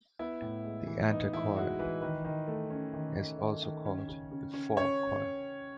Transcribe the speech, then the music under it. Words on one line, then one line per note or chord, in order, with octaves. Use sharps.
The ante-choir is also called the fore choir.
B3 E4
A2
G#3
E3
B3 D#4
E3 E4
G#3 F#4
E3 B4
D#3 B4
D#3
A3
C#4
D#3
D#3
D#3
D#3
C#4
C#3
C#3
C#4
C#4 C#5